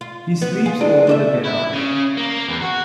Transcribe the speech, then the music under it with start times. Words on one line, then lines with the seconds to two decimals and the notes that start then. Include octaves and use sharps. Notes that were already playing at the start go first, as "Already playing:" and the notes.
He sleeps over the garage.
0.01 F4
0.41 B3
0.66 F4 G#4
0.80 E3 G#3 D4
1.07 A3 D5 E5
1.44 E4
1.73 C#3
2.17 A#3
2.48 E2
2.62 F#4